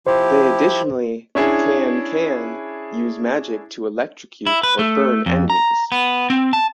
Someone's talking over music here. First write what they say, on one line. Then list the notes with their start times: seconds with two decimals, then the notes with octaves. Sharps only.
They additionally can can use magic to electrocute or burn enemies.
0.07 F3 E4 G4 C5
1.35 C#4 D4 E4 G#4
4.47 E4
4.63 B4
4.79 A3
5.26 F2
5.50 A#5
5.92 B3
6.30 C4
6.53 A5